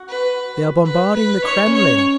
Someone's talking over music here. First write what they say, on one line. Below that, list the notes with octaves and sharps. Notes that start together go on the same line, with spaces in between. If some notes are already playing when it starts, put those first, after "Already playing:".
"They are bombarding the Kremlin!"
Already playing: F#4
B4
B4
B4
D#4 C#5
C#4
C#5